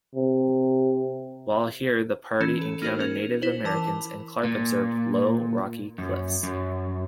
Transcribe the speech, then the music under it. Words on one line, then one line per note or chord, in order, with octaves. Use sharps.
While here the party encountered Native Americans and Clark observed "low rockey clifts".
C3
E3 C#4 E7
A4
A#3 D#4 F#4 A#4 C5
C#4 A#4 F7
E4 C5 F#7
E3 A#4 A5 D6
A#2
F#2
F#2